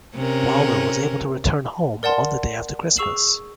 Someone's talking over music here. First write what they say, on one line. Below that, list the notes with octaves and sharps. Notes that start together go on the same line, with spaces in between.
Wilder was able to return home on the day after Christmas.
C3 C#4 A#4
A#4 D5 F#5 A5 C6
G#4 C#6 E6 C7 E7 F#7